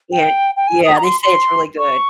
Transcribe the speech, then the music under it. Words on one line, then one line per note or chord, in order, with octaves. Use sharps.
Yeah, yeah, they say it's really good.
G5
G5
G#5
D#6
A#5
C6
C6
C#6